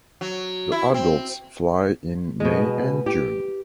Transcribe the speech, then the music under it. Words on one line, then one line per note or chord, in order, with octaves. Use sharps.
The adults fly in May and June.
F#3
E4
C4
B2 G#3
G4